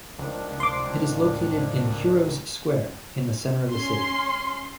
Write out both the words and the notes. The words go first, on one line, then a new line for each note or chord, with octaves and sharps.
It is located in Heroes' Square in the center of the city.
C#2 D#3 F3 D4
C3 C6 D6
F2 A2
C#4 C6